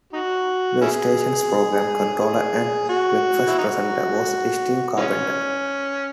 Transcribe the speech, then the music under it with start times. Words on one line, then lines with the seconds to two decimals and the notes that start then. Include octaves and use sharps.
The station's programme controller and breakfast presenter was Steve Carpenter.
0.13 D#4 F#4
0.81 C#4 E4 G#4
2.20 G#4
2.89 F#4
3.47 E4
3.58 D#4 F#4
4.96 E3 G#3 C#4